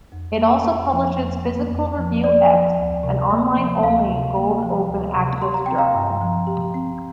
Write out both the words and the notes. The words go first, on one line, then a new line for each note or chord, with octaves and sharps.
It also publishes "Physical Review X", an online-only gold open access journal.
F2
A#3
F2
F3
F2
A#3
F2
F3
A#3 D5
F3
D2
C3
A#3
F3
D2 F5
C3
A#3
F3
D2
C3
G4 C6
A#5
C4 G5
F5 A#5
G2
F3
G4
C4